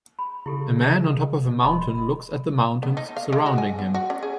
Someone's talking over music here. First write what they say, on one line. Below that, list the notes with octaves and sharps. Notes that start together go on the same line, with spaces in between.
A man on top of a mountain looks at the mountains surrounding him.
B5
C#3 E4 G4 A4
B2
D#1 D#5 B5 C6
B3
D#4
F5
G#3
F#4
G#5
B3
F#4
C#4
G#4